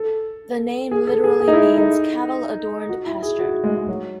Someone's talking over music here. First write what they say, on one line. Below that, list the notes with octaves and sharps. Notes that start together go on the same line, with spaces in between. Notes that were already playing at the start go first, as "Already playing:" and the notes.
The name literally means cattle-adorned pasture.
Already playing: A4
G#4
A4
G#4
G#4
D#4
E4
D#4
F#4
E4
G#4
F#4
G#3
G#3
F#3